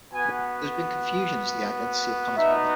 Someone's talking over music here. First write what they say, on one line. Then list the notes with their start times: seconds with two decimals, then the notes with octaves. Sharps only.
There's been confusion as to the identity of Connor's mother.
0.13 B3 F#4 G#5
2.37 B3 D#4 F#4 E5